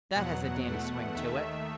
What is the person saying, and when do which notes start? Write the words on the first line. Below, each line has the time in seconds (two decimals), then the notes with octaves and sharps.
"That has a dandy swing to it."
0.14 E2 B2 F#3 F#5
0.65 E2 B2 A3
1.14 D#2 D#3 A3 E5